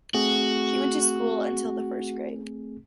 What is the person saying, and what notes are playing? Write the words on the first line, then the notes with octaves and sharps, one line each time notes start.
She went to school until the first grade.
A3 C4 F#4 G#4